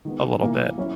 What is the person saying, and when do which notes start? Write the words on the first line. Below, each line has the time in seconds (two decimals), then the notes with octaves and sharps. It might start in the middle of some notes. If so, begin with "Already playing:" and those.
a little bit,
0.05 D#3 G#3 B3
0.41 A#2 A#3 E4
0.78 F#3 C#4 E4